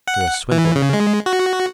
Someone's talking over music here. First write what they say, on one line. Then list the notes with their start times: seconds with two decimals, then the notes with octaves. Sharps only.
"You're a swindler!"
0.07 F#5
0.52 E3
0.76 C#3
0.93 G#3
1.26 F#4